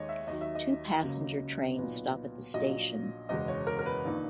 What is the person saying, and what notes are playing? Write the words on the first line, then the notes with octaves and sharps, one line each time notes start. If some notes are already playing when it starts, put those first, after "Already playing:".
Two Passenger trains stop at the station.
Already playing: D#2 D#3 G#3 C#5 D#5
E5
D#2 D#3 F#3 D#5
E5
D#5
C#2 C#3 F#3 A#3
B1 A#2 F#3 B3
A#1 A#2 F#3 D#5
F#1 E2 B2 G#3 D#5
C#5
A#4
A#4
B4
A#1 D#3 A#3 D#4